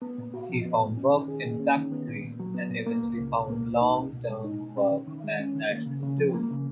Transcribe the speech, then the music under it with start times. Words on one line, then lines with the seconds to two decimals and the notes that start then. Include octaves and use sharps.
He found work in factories, and eventually found long-term work at National Tool.
0.02 B3
0.18 A#2
0.34 F#4
0.49 F3
0.66 B3
0.80 A#2
0.97 C#4
1.13 D#3
1.28 G#4
1.44 A#3
1.60 C#4
1.76 D#3
1.92 B3
2.08 A#2
2.23 A#2
2.40 F#3
2.54 B3
2.70 A#2
2.87 A#3
3.03 C#2
3.18 C#2
3.33 B2
3.50 A#3
3.65 C#2
3.81 D#4
3.97 B2
4.13 B2
4.29 G#3
4.44 D#4
4.60 B2
4.77 C#4
4.91 D#3
5.08 D#3
5.24 G#3
5.40 C#4
5.55 D#3
5.71 A#3
5.86 C#3
6.03 C#3
6.18 F3
6.34 A#3
6.50 C#3